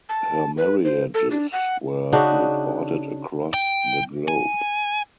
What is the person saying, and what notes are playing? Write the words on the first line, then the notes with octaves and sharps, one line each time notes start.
Her marriages were reported across the globe.
A5
B4
C5
A4
D4
F#5
C#3 D4 D#4 F#4
G5
G#5